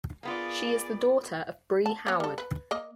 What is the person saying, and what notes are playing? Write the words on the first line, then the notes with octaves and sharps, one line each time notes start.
She is the daughter of Brie Howard.
A#3 B3 F4 G#4 D5
A5
A#3 C#4
G3 A4
B4
A#3 D#5